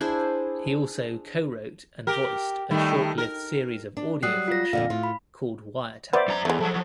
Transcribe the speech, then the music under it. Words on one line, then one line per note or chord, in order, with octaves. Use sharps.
He also co-wrote and voiced a short-lived series of audio fiction called "Wiretap".
D4 E4 G#4 C5
G4 A#4
D#3 G3 A3
A#4
D4
F#3 G3 D#6 F#6 C7
F4 A#6
F2 A#2 D3 F5
A2 F4
B5
B3 C5 D5 E5
F#2 A#5
E2 G#3 A3
F3 F#3 A4